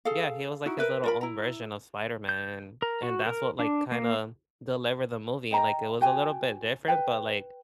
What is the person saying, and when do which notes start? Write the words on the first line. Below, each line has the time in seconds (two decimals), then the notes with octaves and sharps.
Yeah, he was like his little own version of Spider-Man and and that's what, like, kinda delivered the movie, like, it was a little bit different, but, like,
0.05 G#4 A4 F5
0.66 D#4 E4 F#4
0.79 A#4 B4 E5
1.04 F4 A#4 B5
1.21 E4 A#5
2.29 G6
2.82 A#4
3.03 F#4
3.26 A#4
3.59 D4
3.92 A#3
5.51 D#5 G5 A#5
6.01 F#4 G5 G#5
6.88 B4 G5